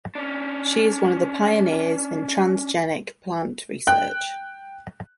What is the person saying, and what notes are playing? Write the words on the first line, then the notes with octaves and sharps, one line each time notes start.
She is one of the pioneers in transgenic plant research.
C#4 D4
G5 F#6